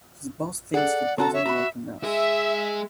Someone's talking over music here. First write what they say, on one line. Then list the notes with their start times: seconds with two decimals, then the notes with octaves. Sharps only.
His boss thinks he doesn't work enough.
0.74 G#4 A4 D5 F#5
1.18 C4 F#4 A4 A5 A#5
1.33 C#5 E5
1.46 F#4 A#5 B5
2.03 G#3 G#4 E5